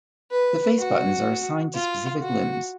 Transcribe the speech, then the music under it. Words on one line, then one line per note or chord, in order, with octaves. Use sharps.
The face buttons are assigned to specific limbs.
B4
F#4
F4
F#4